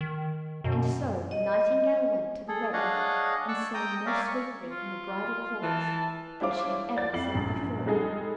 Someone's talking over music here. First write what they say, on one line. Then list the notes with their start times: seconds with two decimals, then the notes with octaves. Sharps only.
And so the Nightingale went to the wedding and sang more sweetly in the bridal chorus than she had ever sung before.
0.01 D#3
0.64 F#2 B2
1.31 D#5
2.48 G#4 A4
2.73 D4 G#4 C#5 D#5 F5 F#5
3.48 D5 C#6 E6 F#6
3.74 G5 A#5 D#6
4.06 A#4 C#5 D5 E5 F5 G#5
4.27 C#6
4.71 F4
5.63 E3 A5
6.41 D4 E4 C5 C#5 F5 D6
6.96 D5 A6
7.13 F2 E4 C7 F#7
7.35 A#1 F#2
7.86 G3 G#3 D#4 G#4 A4